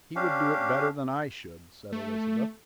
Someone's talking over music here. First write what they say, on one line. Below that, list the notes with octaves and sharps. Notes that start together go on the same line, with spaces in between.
"He would do it better than I should," said Elizabeth.
C#4 D4 G4 F5
A3